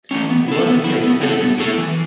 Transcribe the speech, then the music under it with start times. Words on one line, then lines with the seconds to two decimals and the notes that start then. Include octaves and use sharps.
I’m going to take ten pieces.
0.11 E3 A3 C#4
0.30 B3
0.48 E4 A4
0.66 B3
0.84 E4 A4
1.03 B3
1.21 E4 A4
1.41 B3
1.59 E4 A4
1.78 E3